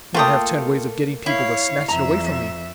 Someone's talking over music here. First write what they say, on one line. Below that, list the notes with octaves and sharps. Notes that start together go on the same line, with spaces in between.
I have ten ways of getting people to snatch it away from me.
A3 A#3 F4 A4 G5 D#6
E4 C#5 F5
F2 E5 A#5